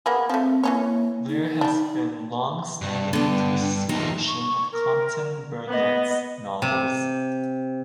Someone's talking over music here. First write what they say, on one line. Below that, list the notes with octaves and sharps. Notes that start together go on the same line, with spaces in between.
There has been longstanding appreciation of Compton-Burnett's novels.
A#3 B3 G#4
F3 A3 C4
E3 A#3 C#4 C#5
D#4
G3 D4
G2
G2 D3 B3
D#2 F3 D#4
C#6
A#4
B3 D#5
C3